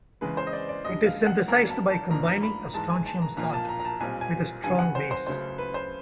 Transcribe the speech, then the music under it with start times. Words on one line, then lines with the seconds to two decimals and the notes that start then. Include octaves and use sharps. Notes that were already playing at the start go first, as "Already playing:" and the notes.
It is synthesized by combining a strontium salt with a strong base.
0.21 E2 C#3 E3 G#3 B4
0.37 C5
0.47 D#5
0.53 D5
0.69 D5
0.85 F#2 D3 G3 D#5
1.06 F5
1.27 F#5
1.48 D2 D3 F#3 A#3 D4 A#5
1.69 A5
1.90 A5
2.10 G#2 F3 A#3 D4 A#5
2.27 A#5
2.43 B5
2.74 G#2 E3 G#3 A5
2.90 G#5
3.06 A5
3.21 A#5
3.37 B1 A#2 F3 A#3 A#5
3.53 A5
3.69 A#5
3.79 A#5
3.85 A5
4.00 B1 A#2 G3 C4 G#5
4.21 G#5
4.64 D2 C#3 E3 G3 G#5
4.79 F#5
4.95 C5
5.11 C5
5.27 C#2 C#3 F#3 A3 C5
5.58 B4
5.74 C5